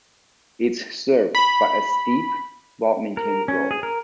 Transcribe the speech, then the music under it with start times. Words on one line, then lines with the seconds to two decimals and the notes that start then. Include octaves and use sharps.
It is served by a steep, well maintained road.
1.35 B5
3.17 A#4
3.48 C#4
3.71 G#4
3.83 A#4